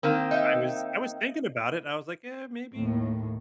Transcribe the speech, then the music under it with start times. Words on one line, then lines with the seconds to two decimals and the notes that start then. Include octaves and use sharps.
I was I was thinking about it, and I was like, "Yeah, maybe.
0.03 D#3 A#3 C4
0.31 D#4 E5 F5
2.74 D#2 A2